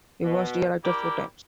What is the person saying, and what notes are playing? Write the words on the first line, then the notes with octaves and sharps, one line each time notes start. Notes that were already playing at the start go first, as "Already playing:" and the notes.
He was re-elected four times.
B2
E4 G4 A#4 D5